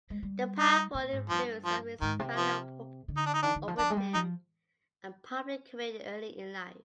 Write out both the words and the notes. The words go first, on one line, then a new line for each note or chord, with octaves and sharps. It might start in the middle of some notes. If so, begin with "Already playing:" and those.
The powerful influence of his family opened him a public career early in life.
G#3
G3
D#4
A#2
G#2
G2 F3
F3
G#2 D#3
C3
F3
D3
D#4
D4
D#4
D#3 D4
D#3
F3
F3 D4
G#3
G3
F3 D#4